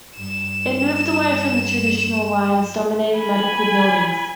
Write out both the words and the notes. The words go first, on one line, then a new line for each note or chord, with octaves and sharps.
It moved away from the traditional lines dominating medical buildings.
G2 E7
G#5 B5